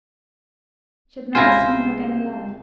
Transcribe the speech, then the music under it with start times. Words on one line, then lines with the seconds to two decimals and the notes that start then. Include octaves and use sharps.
She had never seen him again alive.
1.35 C#2 C3 G#3 E4 F4 C5 G#5 A#5